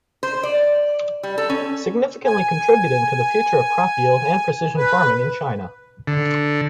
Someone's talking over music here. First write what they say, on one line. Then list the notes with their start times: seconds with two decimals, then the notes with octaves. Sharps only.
Significantly contributing to the future of crop yield and precision farming in China.
0.23 C5
0.43 D5
1.23 G3
1.38 A4
1.50 C#4
2.26 G#5
4.78 B4
6.07 D3